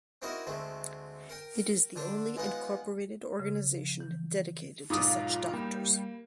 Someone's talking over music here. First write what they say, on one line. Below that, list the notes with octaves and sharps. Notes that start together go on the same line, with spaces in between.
It is the only incorporated organization dedicated to such doctors.
C4 D#4 E4 F#4 A#4 D#5
D2 G#3 A3 C4
A#4 G5
D3 D4 C5
G#3 B3 D#4 F4 F#5
C#3
F3
E3
B1 G#2 D#4 F4 D6 D#6
G3 A#3